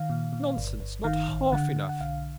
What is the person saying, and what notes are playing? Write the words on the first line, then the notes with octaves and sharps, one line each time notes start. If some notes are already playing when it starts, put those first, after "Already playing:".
'Nonsense! not half enough.'
Already playing: D#3 F5
A#2
A#2
G1
G1
D#3 F5
A1
D3 F#5
D3
F#5
B1 F5